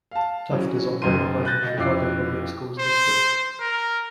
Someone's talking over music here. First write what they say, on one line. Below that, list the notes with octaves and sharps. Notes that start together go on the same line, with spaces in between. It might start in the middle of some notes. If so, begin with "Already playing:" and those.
Taft is operated by the Chicago Public Schools district.
F5 A5
E3 F#3 C#4
F#1 F#2 D#3 C6 D#7
F#6 G6 A6 A#6
B2 D#5
F2 C#4 E4 D6 C7
C5
A#4